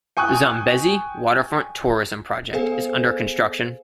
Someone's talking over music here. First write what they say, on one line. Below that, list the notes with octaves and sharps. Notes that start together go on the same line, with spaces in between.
The "Zambezi Waterfront Tourism" project is under construction.
G5 G#5 C#6 D#6 F#6
B3 G#4 A4 C5 F5 G#5